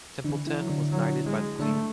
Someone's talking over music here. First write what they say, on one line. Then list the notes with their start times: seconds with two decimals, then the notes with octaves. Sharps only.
Templeton was knighted by the Queen.
0.24 D3 E3 D4
0.47 E3 E4
0.58 F#3
0.69 D3 D4
0.92 F#3
1.26 G#3
1.59 D3 A3 D4